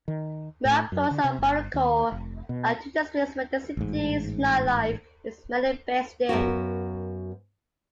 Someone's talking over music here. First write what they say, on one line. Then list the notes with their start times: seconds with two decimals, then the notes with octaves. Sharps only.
Miraflores and Barranco are two districts where the city's nightlife is mainly based in.
0.08 D#3
0.65 A2
0.92 F#2
1.11 D3
1.24 C3
1.38 G1
1.74 D#2
2.12 F1
2.49 B2
3.77 A1 G#2
6.29 F#2 A#3 B3 F#4